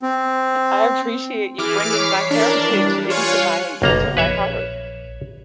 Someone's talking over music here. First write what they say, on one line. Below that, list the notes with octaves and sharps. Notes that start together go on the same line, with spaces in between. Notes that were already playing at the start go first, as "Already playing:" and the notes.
I appreciate you bringing my heritage into my into my heart.
C4
E3 G#4 D6 F6
C#5 B6 C7
E3 D4 A#4
G3
F4 C#5 F5 G#5 F#6 C#7
F#1 B1 A#3 A#5
A#1 B4 C#5 E5